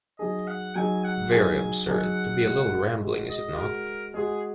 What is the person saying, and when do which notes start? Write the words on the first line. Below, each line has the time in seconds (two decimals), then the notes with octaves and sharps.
Very absurd, to be a little rambling, is it not?
0.18 F#3 D#4 G#4 D#5
0.47 F#5
0.75 F#3 D#4 G#4 G#5
1.04 F#5
1.32 F#3 D#4 G#4 G#5
1.88 F#3 D#4 G#4 F#5
2.44 G#3 F#4
3.01 G#3 F#4
3.29 D#5
3.57 G#3 F#4 A#4
4.14 G#3 F#4 G#4